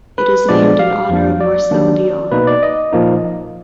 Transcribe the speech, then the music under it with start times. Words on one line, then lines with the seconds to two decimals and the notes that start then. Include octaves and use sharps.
It is named in honour of Marcel Dionne.
0.18 B4
0.49 A#2 F3 G#3 B3 D4 D5
0.79 F5
1.10 F2 F3 A#3 D4
1.41 D5
1.71 D#3 F#3 A#3 D4
2.31 B2 A#3 D#4 B4
2.47 D5
2.63 D#5
2.93 A#2 F3 A#3 D#4